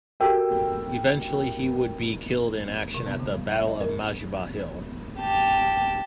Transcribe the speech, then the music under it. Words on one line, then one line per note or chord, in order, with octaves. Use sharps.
Eventually he would be killed in action at the Battle of Majuba Hill.
F#4 G4 A4 A#4 G5 E6
C3
B3
D3
G3
E5
D#5
A#4
G4 A5